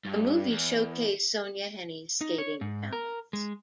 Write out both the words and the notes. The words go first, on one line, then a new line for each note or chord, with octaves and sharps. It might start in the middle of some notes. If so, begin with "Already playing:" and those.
The movie showcased Sonja Henie's skating talents.
G2
E2
D#4
C#5
G#2
A#4
G#3